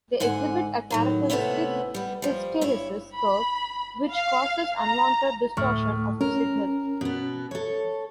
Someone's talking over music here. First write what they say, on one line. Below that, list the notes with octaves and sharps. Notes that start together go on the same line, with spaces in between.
They exhibit a characteristic hysteresis curve, which causes unwanted distortion of the signal.
G#2 D3 F#5 G#5
A2 D#3 F#3
C3 A3 B3 C#4 E4
G3 B3
F3 G3
G2 E4 C#5
B5
F5
A#5
D2 A2 C#6 F6
C#4 A#4
B2 B3
A4 C#5